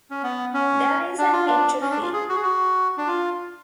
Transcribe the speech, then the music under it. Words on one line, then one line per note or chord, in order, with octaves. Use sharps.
There is an entry fee.
C#4
B3
C#4
D4
F4
D4
C#4
D4
F4
G#4
F#4
G#4
F#4
D4
F4